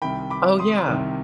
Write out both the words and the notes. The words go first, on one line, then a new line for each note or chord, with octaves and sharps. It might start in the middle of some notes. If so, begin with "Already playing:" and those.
Oh yeah,
C2 C3 D#3 G5 B5
B5 D6
C6 D#6
C2 C3 D#3